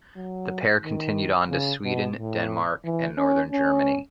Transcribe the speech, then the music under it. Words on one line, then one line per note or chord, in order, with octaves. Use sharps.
The pair continued on to Sweden, Denmark and northern Germany.
F#3
D#3
C#3
B2
A2
E3
C#4
C#4